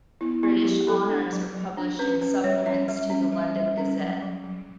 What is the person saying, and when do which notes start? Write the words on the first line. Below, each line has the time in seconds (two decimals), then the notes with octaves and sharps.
British honours are published in supplements to the "London Gazette".
0.21 B3 E4
0.43 B3 E4
0.65 F#3 G4
0.88 F#3 A4
1.10 D4
1.32 F#3
1.54 F#3
1.77 D4
1.99 C#4 B4
2.21 C#4 B4
2.44 G3 C#5
2.66 C#4 E5
2.88 G3 E5
3.10 C#4
3.33 G3
3.56 G3
3.78 C#4
4.00 F#3
4.22 F#3
4.44 F#3